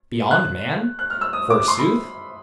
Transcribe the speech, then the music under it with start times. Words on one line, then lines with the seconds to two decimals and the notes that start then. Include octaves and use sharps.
Beyond man, forsooth?
0.31 F#6
0.99 F#6
1.10 F6
1.21 E6
1.33 D#6
1.50 D6
1.68 C6
1.79 B5